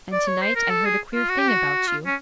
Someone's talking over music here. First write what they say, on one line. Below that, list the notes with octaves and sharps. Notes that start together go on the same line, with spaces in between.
'And to-night I heard a queer thing about you.'
D5
C#5
C5
A#4
A4
G#4
F4
F#4
G4
F#4
F4
C#4